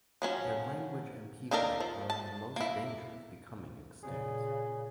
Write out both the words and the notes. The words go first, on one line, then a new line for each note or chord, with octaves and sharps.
Their language and people are in the most danger of becoming extinct.
F3 F#3 C#4
A#3 D4 D#4 A4 A#4
F3
A5
A#3 E4
A#2 C#3 G#4